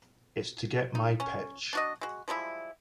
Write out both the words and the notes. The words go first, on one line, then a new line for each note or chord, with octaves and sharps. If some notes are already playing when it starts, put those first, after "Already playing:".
It's to get my pitch.
D#4
C#4
D4 F#4 D#5
G#3 F#4
F3 G3 G#3 E4